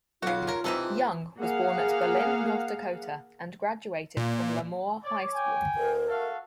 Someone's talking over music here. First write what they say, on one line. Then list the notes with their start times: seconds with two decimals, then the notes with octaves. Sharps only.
Young was born at Berlin, North Dakota, and graduated from LaMoure High School.
0.22 B1 C#3 F4 F#4 F5
0.47 C#3 A#4 C#5
0.64 C3 E3 D#4 A4 B4 C6
1.39 A#3 G#4 F5 F#5
4.17 A#2
5.04 C#5 D5 D6
5.34 G5 G#5
5.76 D2 A#4
6.09 A3 F#4 A4 F5